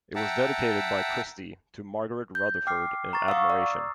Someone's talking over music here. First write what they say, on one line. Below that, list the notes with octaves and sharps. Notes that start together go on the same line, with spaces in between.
It was dedicated by Christie: To Margaret Rutherford, in admiration.
E5 F#5 G5 A5 A#5
G6
G5 D6 F6 C7
A#5 C#6 A6
F5 F#5 C#6 D#6 E6
D5